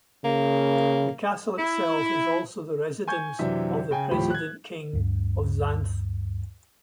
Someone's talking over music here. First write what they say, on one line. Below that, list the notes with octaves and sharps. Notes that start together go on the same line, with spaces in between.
The castle itself is also the residence of the present King of Xanth.
C#3 A#3
E4
G#5 C#6 G6 G#6
F#2 C3 E3 D4 E5
C#3 G5 G#5
D#1 A2 F3 G4 B5
F#6 G#6
D2 G2